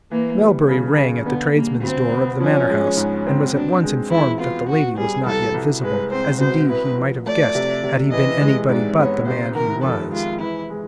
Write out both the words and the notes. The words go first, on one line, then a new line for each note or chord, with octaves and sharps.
Melbury rang at the tradesmen's door of the manor-house, and was at once informed that the lady was not yet visible, as indeed he might have guessed had he been anybody but the man he was.
E3 A#3
G3
C#3
C#3
D3 B3
G3 A#3
D2 C4
B3
F3 C#4
G#3
G#2
C4
B2 D4
G#3
E2 E4
B3 F4
B2 F#4
G3 G#4
C2 A4
C2
G#3 B4
C4 C5
B2 C5
E4 B4
F3
A3 D5
C3
C3
E3 D#5
G#3
G#2 D5
B3 C#5
C3 C5
D#3 A#4
F2 A4
G#3 F4
E3 E4
G#3